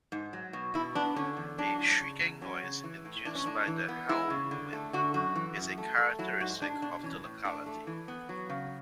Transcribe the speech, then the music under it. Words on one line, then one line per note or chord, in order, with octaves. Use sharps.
A shrieking noise induced by the Helm Wind is a characteristic of the locality.
G#2
F#3
B2
B2 E4
B3 D4
D3 C#4
E2
F#3 D4
A2
C#3
E2
F#3 C#4
C#3
E3
A2
E3 D4
C#4
A2 D4
E3
B3
G#3 E4
C#3
D3
A3
D3 F#4
F#2 F#4
E3
F#2
A3
A3
F#3 E4
G#2 F#4
G#3 D4
B2 D4
E3 C#4
A2
A3 D4
A3
E3
B3
F#3
C#3